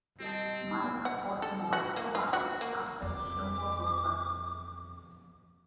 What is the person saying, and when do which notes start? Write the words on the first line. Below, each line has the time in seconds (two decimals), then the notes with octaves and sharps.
Mike Portnoy collapsed after the show was over.
0.20 G3 C4 D#5 A5
1.05 F#5
1.42 A4
1.73 F#4
1.96 A#3
2.15 F4
2.33 F#4
2.61 A#3
3.02 F2 D6